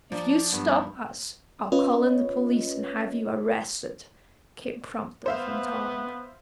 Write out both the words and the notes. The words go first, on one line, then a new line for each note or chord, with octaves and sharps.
"If you stop us, I'll call in the police and have you arrested," came promptly from Tom.
F3 A#3 D4 D5
G2 B3
C#4 F4 B4 C#5 D#5
B3 C5 E5 F5